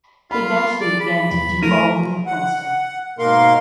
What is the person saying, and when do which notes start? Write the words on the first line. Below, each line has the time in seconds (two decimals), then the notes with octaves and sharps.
He eventually began teaching Baldwin at Princeton.
0.31 F4 A#4 B5
0.81 G#4 D5
1.00 B5
1.31 E2
1.62 E3 A3 A#4 D#7
2.27 F#5
3.18 G#2 B2 A#3 A#4 F5 C6